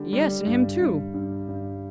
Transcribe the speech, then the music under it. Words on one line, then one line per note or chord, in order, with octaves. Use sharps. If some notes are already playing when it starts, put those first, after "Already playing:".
'Yes, and him too.
Already playing: D3 G3
G3
G2
G2
G2
G2